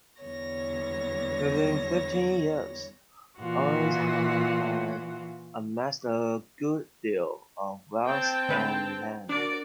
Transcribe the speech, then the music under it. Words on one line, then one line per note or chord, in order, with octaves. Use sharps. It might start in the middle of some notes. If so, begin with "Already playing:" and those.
Within fifteen years, Owings had amassed a good deal of wealth and land.
E2 D3 G3 B3 C#5 A#6
A#2 E3 F4 F#4 F#5
C4 G5 A5
D3 G#3 B4
D4 F#4 A#4 D5